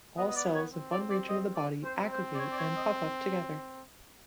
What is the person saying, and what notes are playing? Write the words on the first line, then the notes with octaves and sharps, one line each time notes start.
All cells of one region of the body aggregate and puff up together.
B3 D#5
D#5
D5
C#5
C4
D5
D5
D#5
D5
C4 C5
C5
D5
C#5
D5
C#5
D#5